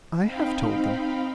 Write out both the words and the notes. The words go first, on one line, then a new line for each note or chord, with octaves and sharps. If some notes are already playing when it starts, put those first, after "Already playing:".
"I have told them."
C4 D#4 F5 G5 B5